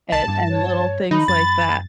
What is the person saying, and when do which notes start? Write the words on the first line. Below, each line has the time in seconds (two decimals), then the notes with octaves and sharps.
and and little things like that,
0.12 C2 A5
0.28 G2
0.50 C#5
1.11 D#3 D#4 B5
1.28 F#2 A6